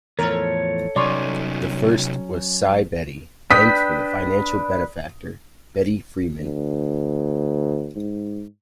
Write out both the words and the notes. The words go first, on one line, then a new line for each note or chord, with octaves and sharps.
The first was Si Betty, named for the financial benefactor Betty Freeman.
E2 A2 F3 A4 A#4 C#5
C2 F#3 C#4 D#4 D5 C6 C#6
D4 B4 G5 D#6 B6
D2
G#2